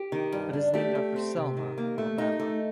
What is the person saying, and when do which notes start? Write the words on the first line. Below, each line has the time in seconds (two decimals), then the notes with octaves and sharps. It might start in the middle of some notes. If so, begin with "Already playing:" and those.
It is named after Selma, Alabama.
Already playing: G4
0.12 D#3
0.32 G2
0.53 D4
0.74 A3 G4
0.95 A3
1.16 C4
1.37 C3
1.57 D#3
1.78 A#3
1.98 A3
2.18 D#4
2.40 A3